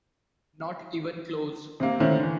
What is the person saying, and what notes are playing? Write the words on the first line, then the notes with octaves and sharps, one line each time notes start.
Not even close.
C3 A#3
D3 D#3 A3 C4 C#4 E4
D3 E3